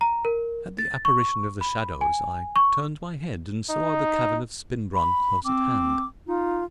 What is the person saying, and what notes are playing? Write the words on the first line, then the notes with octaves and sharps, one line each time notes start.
At the apparition of the shadows I turned my head and saw the cavern of Spinbronn close at hand.
A#5
A#4
A6
C#6
B5
G#5
C#6
D#4
B5
C4 D6
D#4 F4